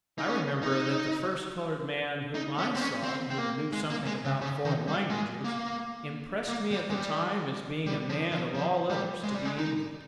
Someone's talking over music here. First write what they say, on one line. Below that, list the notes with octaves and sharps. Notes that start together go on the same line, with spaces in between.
I remember that the first coloured man whom I saw who knew something about foreign languages impressed me at the time as being a man of all others to be envied.
D#4
C#4
D#4
D#4
C#4
C4
C#4
C4
C4
A#3
G#3
A#3
G#3
C#3
C#3
D#3
G3
G#3
A#3
A#3
G3
G#3
G3
G3
F3
F3
F3
G3
G#3
G3
G#3
D#4